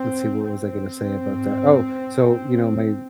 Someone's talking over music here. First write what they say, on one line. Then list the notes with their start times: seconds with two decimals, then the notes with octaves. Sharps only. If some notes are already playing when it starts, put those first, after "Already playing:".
let's see, what was I going to say about that oh, so, you know, my
Already playing: C4
0.45 C4
1.21 G#2